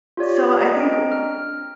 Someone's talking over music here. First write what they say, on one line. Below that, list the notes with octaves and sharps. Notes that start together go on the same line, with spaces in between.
So I think w
F4 G4 C#5 D5
D#5 A#5
C4 D4 D7
F6